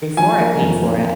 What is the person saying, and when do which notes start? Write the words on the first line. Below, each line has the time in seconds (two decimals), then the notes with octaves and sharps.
before I paid for it.
0.17 F3 G#5
0.40 A#3
0.62 F2
0.84 A#3